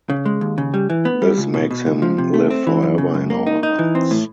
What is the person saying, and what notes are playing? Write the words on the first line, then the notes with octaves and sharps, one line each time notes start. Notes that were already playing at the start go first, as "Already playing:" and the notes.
This makes him live forever in our hearts.
C#3
G#3
D#2
C#3
G3
E3
B3
G3
C#2
B2
B2
C#2
F3
C3
A3
C4
E3
F#2
C#3
F#2
A#3
D#4
D#4
E3
C4
A2